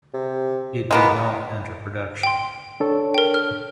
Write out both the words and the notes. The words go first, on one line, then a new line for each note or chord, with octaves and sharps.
It did not enter production.
C3
G#3 A#3 B3 D#4
G5 C6
D4 A4 C#5
A#4 G5
F6